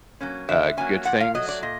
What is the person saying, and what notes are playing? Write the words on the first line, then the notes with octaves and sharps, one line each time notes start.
uh, good things.
F#3 A#3 C#4
D3 E5
F#3 A#3 C#4 G#5
A#2 F#5
F5
F#3 A3 D#5
D5
A#2 D#5